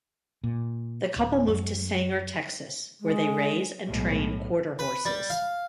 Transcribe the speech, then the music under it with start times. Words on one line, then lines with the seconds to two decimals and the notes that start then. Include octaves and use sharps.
The couple moved to Sanger, Texas where they raise and train quarter horses.
0.44 A#2
1.16 D1
1.49 F#2
3.01 G#3
3.87 B1 A2 G#3
4.79 B4
5.06 G3
5.30 F5